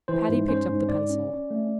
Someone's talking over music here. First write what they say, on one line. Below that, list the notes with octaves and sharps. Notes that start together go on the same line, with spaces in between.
Patty picked up the pencil.
E3 C5
G#2
C#4 C5
G#2
G#2 D5
C#4
C#4
A3